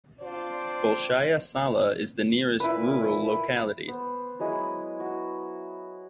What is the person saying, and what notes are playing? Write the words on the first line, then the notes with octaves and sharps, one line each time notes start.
Bolshaya Sala is the nearest rural locality.
C4 D4 F4 C5 D5
A#2 E4 B4
B3 C5
F#3 G#3 E4 D#5
F#4